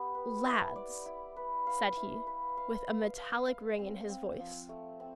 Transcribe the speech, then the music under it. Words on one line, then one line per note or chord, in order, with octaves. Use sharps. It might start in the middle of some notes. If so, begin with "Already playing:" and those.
"Lads!" said he, with a metallic ring in his voice.
Already playing: B3 G4
B4
E4
D5
E4
B4
F5
E4
B4
F5
F5
F5
F5
C4
C4
F3
A3
C4